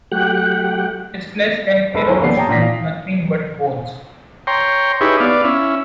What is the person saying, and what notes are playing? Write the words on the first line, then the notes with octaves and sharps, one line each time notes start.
His flesh then erodes to nothing but bones.
F#3 A3 G4 F#5 G5 F#6
G1 G#3 A4 B5
E4 A4 G#5
F1 A#3 B3 D4 G4 C7
C#5 G5 A5 A#5 D#6
A#2 D5 F#5 A#6 B6
F5
C#5 G5 A#5 C6
D#4 E4 G4 G#4 B4 C#5
B3 D5 F5
C#4 E4